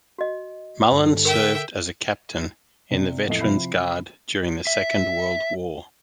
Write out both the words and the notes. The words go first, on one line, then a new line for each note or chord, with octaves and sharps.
Mullin served as a captain in the Veterans Guard during the Second World War.
F#4 D#5
G2 D3
A#4 E5 G5
C3 D5
A1 F2 A3 D#5 C7
C3 F3 E5 B5
E5